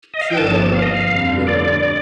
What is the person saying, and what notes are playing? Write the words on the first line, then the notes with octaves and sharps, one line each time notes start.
So, yeah.
D#5
F5
G5
G1 G2 F3 A#3 A5
F5
D#5
F5
F2 D3 G3
D5